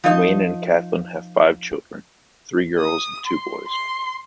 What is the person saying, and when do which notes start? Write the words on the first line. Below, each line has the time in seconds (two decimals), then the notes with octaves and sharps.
Wayne and Kathlyn have five children, three girls and two boys.
0.04 F3 D#4 D#5
2.79 D#6
3.26 C6
3.68 C6